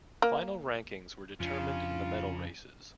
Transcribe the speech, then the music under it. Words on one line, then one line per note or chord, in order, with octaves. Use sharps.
Final rankings were determined in the medal races.
A#3
F2 C#3 D4 F4